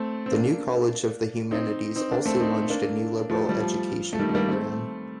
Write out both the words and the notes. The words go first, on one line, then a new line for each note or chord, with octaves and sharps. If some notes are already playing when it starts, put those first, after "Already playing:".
The New College of the Humanities also launched a new liberal education programme.
Already playing: A3 C4
C4
A#3 D4
C4 D#4
C4 D#4
A#3 D4
A3 C4
C4 D#4
A#3 D4
F3 A3
G3
F3
A3
D#3 G3
A3
G3 A#3
A3 C4